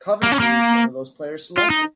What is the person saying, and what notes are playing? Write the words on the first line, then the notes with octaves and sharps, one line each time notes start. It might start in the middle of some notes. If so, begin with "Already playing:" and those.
Coventry was one of those players selected.
A#3
C#4
A#3
F4
D#4